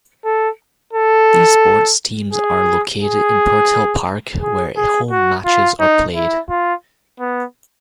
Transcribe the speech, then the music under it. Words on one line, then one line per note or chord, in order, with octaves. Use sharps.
These sports teams are located in Purtell Park where home matches are played.
A4
A4
G#4
G#4
G#4
G#4
F#4
F4
D#4
E4
F4
B3